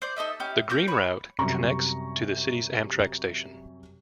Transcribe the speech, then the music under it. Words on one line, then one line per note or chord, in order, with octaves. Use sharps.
The Green Route connects to the City's Amtrak station.
C5 D5
D#4 A4 D#5 E5
C#4 D#4 E4 G4
A#3 C#4 A#4 G6
C#5 B5
F#2 C3 G3 G4 A#5 C#6